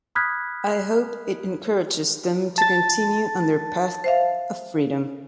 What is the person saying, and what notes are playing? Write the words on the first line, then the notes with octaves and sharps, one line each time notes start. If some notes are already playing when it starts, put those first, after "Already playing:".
I hope it encourages them to continue on their path of freedom.
B5 D#6 F6 F#6 G#6 B6
A5 A6
C5 E5 F5